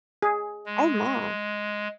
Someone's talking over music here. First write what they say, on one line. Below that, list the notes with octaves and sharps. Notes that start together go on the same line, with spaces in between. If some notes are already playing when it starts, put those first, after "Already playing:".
Oh, my.
G#4
G#3